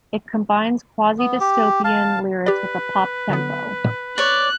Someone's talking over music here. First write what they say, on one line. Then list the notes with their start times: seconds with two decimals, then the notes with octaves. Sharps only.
It combines quasi-dystopian lyrics with a pop tempo.
1.19 B3
1.40 G4
1.84 F5 A5
2.46 G4 B4 D5
3.30 D3 F#3 B3
4.18 C#5 D5 F#6